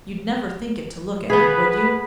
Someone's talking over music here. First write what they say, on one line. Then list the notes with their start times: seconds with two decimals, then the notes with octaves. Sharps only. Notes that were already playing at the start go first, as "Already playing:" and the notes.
You'd never think it to look at me, would you?
1.30 B3 G#4 B4